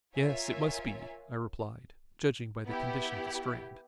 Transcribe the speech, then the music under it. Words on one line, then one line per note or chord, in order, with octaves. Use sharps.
"Yes, it must be," I replied, "judging by the condition of the Strand."
F4 A#4 C#5 E5 G#5
B3 E4 G4